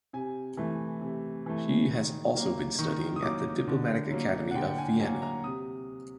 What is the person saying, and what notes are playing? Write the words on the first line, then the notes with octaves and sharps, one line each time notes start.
She has been also studying at the Diplomatic Academy of Vienna.
C3 G#5
E3 A3
C3
E3 A3
D#3
F#3 A#3
D#3 C#6
D#6
F#3 A#3 D6
D3
F#3 A#3
F#5
D3 G5
G5
G#5
F#3 A#3 G#5
A#5
C3 D#6